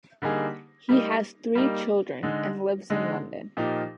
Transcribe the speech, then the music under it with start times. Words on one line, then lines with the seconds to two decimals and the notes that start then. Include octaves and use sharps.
He has three children and lives in London.
0.22 D3 G3 A#3 D#4 G#4
0.89 G3 A#3 D#4
1.55 G3 A#3 D#4
2.23 D3 G#3 D#4
2.90 D3 G#3 D#4
3.57 A#2 F3 A#3 D#4 G4